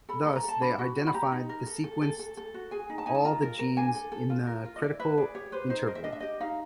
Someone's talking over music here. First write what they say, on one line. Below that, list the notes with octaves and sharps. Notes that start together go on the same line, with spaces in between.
Thus, they identified and sequenced all the genes in the critical interval.
A4 B5
A#5
A4
A#5
A4 A5
D4 B5
F#4
F#4
B5
G4 A#5
D#4
A#4
A4
A4
A4
A4
A4
F#4
G#4 G#5
D#4
A5
D#4 G#5
A5
F4 A#5
A#4
A#4
D4 G#5
A4
A4
F4
A#4
F4
D#5
E4 D5
B4 E5
G#4 D5
G4 C#5
B4 C5
D#4 C5
A#4 D#5
E5
D4 D#5
E5
G4 D#5
D#4 F5